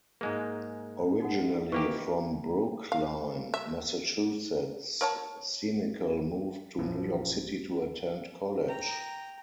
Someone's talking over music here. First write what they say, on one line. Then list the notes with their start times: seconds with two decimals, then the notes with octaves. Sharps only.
Originally from Brookline, Massachusetts, Senecal moved to New York City to attend college.
0.21 G#2 G#3 A#3 G#4
1.20 D#4 F#4 F#5
1.72 E3 A#3 G4 B4 D#5 C#6
2.92 F5
3.54 E5
5.01 A#4 C#5 A5
6.78 A#1 F#2 E3 F3
8.68 G5 A#5